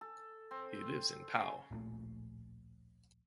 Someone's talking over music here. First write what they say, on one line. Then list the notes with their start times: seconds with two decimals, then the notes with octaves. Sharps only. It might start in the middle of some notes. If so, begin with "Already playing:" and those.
He lives in Pau.
0.01 A4
0.51 C4
1.35 C#3
1.71 D1 A#1 A#2 A3